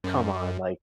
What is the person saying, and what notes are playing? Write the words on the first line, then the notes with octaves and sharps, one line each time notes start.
come on, like
F#2